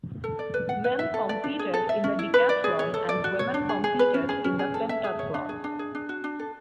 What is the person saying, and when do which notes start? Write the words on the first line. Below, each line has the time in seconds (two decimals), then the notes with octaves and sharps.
Men competed in the decathlon and women competed in the pentathlon.
0.24 A4
0.39 D5
0.54 B4
0.69 F#5
0.84 B4
0.99 E5
1.14 A4
1.29 D5
1.44 D4
1.59 G#4
1.74 A4
1.89 E5
2.04 C#4
2.19 E4
2.34 B4
2.49 D5
2.64 G#4
2.79 C#5
2.94 A4
3.09 D5
3.24 F#4
3.39 C#5
3.54 D4
3.69 G#4
3.84 G#4
3.99 B4
4.14 C#4
4.29 G#4
4.44 C#4
4.59 G#4
4.74 A4
4.89 E5
5.04 G#4
5.19 C#5
5.34 D4
5.49 G#4
5.64 D4
5.79 G#4
5.95 D4
6.09 F#4
6.24 D4
6.39 A4